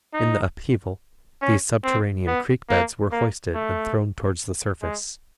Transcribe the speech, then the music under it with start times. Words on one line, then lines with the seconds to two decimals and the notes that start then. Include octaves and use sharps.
In the upheaval these subterranean creek beds were hoisted and thrown towards the surface.
0.13 D#4
1.42 C#4
1.84 C4
2.27 B3
2.69 A#3
3.12 A#3
3.55 A3
4.82 G#3